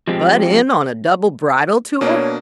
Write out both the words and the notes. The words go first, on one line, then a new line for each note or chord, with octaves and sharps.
Butt in on a double bridal tour?
F3 G#3 C4 G4
B2 A#3 D4 C#5